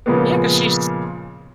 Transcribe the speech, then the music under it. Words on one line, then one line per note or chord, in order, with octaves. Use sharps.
Yeah, 'cause she's
A#2 C#3 F3 G#3 A#3 B3